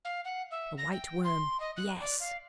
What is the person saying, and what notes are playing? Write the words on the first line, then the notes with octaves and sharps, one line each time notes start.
"The White Worm--yes!"
F5
F#5
E5
A#6
G5
C6
D#5
F#6
D5
F5